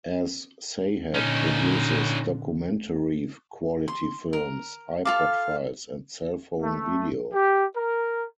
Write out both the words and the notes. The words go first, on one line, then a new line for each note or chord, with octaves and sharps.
As-Sahab produces documentary-quality films, iPod files and cellphone video.
A#2 D3 C#4 D#4
C6
A#4
F4 A4 F5 D6
A3
G4
A#4